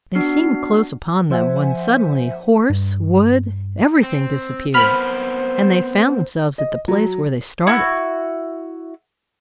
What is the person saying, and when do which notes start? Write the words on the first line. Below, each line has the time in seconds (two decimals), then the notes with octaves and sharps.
They seemed close upon them, when suddenly horse, wood, everything disappeared, and they found themselves at the place where they started.
0.15 B3 D4 F#4 F6 C7
1.30 F3 C5 E5 F#5 G#5
2.70 G2
4.03 C4
4.74 B3 C4 A#4 C5 B5 F6
6.58 D#5
6.88 F#3
7.67 E4 F#4